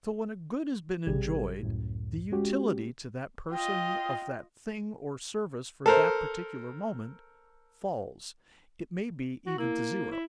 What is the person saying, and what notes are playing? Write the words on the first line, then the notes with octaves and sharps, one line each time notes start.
So, when a good has been enjoyed, the utility to that person of that thing or service for that particular moment, falls, it may be even to zero.
A1 C3 G3 G4 G#4 G#6
C#2 F#2 A2
G#3 C#4 F#4 G4
F4 D#5 G5
A4 A#4 C5
F#4
A#3 E4
E4